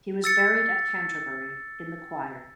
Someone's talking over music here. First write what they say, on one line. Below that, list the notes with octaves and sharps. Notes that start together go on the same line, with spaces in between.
He was buried at Canterbury, in the choir.
E6 A6 C#7